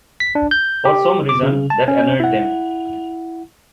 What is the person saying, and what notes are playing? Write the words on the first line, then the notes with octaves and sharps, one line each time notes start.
For some reason that annoyed them.
B6
D4
G6
G4
D6
C#3
A5
C#4
E4 F#5